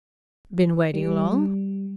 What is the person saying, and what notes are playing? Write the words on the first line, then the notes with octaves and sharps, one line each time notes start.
"Been waiting long?"
G3